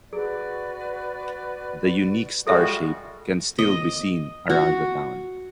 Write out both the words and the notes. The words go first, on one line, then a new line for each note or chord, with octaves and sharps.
The unique star shape can still be seen around the town.
F#4 G#4 B4 D5
G3 G#3 F4 F#4 G#4 A4 E5
D#5
F#4